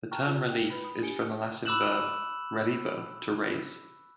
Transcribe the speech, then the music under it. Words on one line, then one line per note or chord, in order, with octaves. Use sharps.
The term "relief" is from the Latin verb "relevo", to raise.
G5 A5 A#5 C#6 F6 F#6
F4 D5
F4 G5
B4 B5
B5 D#6
D4 G4 G#5 C#7 D7 G7
B5 D6 E6 F#6 E7 F#7